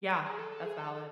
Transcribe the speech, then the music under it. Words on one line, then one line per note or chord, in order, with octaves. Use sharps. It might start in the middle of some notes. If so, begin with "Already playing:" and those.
Yeah, that's valid.
G#4
A4
A4
G#4
A4